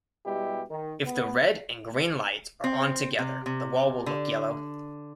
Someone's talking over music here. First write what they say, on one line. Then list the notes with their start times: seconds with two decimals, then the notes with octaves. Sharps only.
If the red and green lights are on together, the wall will look yellow.
0.25 B2 G3 G#3 E4 G4
0.70 D#3
1.05 B3
2.64 C4
3.19 C3
3.46 C3
4.06 D3